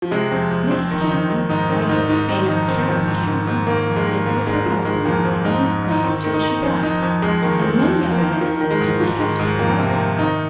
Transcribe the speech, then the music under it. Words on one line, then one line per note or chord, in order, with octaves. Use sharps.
Mrs Cameron, wife of the famous Cariboo Cameron, lived with her husband on his claim till she died, and many other women lived in the camps with their husbands.
F3
C3 G#3
F2 C4
F2
F2 C4
D#3
D#4
F2
D#3
G#2 D#4
D#3 C4
G#2 D#4
G#2 D#4
D#3 C4
F2 D#4
D#3 C4
F2 C4
G#2
D#3
G#2
D#3 A#3
F2
G#3
D#3
G#2 A#3
G#2 G#3
G#2 F3
D#3 G#3
F2 A#3
F2 C4
G#2 D#4
G#2
G#2
D#4
D#3 C4
D#3
D#4
D#3
F2 C4
F2 D#4
F2 C4
F2 G#3
D#3 A#3
F2 C4
F2 C4
F2
A#3
D#3
D#3 F3
D#3
G#3
G#2
G#2 F3
F3
D#3 G#3
G#2 G#3
F2 A#3
C3
C4
D#3
D#3 D#4